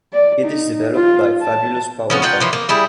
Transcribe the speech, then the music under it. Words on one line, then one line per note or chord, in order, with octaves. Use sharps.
It is developed by Fabulous Power Co.
D5
D#4
F4
A5
F3 B3 C#4
F#3 F4 F#5 G5
E3 F3 A#3
A#3
G3 E4 G#4